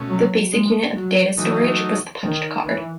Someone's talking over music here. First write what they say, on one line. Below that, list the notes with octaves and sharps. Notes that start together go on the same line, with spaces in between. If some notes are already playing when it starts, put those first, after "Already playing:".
The basic unit of data storage was the punched card.
Already playing: B2 A3 C#4
F#3
G#3
F#3
E3 F#3 A3 D#4
D#3
E3